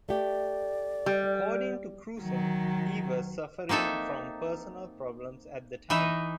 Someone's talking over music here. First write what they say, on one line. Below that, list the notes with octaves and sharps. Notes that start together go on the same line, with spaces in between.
According to Krusen, he was suffering from personal problems at the time.
A3 G4 D5
G3
D#3 F#3
A#3 C4 D#4 A4 E5
E3 D#4 D#5 E5